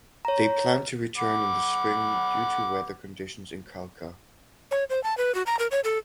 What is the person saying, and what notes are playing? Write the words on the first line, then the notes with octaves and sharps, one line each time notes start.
They planned to return in the Spring due to weather conditions in Khalkha.
C#5 A#5
F#5 B5 D6
C#5
C5
A5
B4
F#4
A#5
A#4
C#5
A4